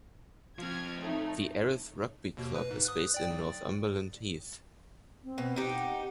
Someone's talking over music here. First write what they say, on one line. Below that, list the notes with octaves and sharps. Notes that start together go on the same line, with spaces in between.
The Erith Rugby Club is based in Northumberland Heath.
F3 C4 F6 G#6
A2 A3 D#4
D#2 B2
B4
G#2
D#6 F#6
D5 G5 A6
B1
C4
B2
D#4 G4
F#5